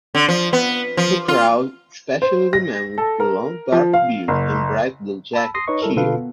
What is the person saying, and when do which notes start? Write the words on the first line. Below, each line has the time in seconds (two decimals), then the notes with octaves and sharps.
The crowd, especially the man with the long dark beard and bright blue jacket, cheer.
0.15 D3
0.28 F3
0.53 B3
0.97 F3
1.28 F4
2.22 C5
2.53 A#6
2.98 A4
3.20 A#4
3.72 F3
3.93 F5
4.28 F#1
5.33 A5 B5 E6
5.54 C6 D#6 A#6 C7
5.67 D#4 B4 C#5 D#5 C#6
5.82 G3 E4 A4 A#4
5.96 B2 D3 F4 A4 B4 F5
6.17 B3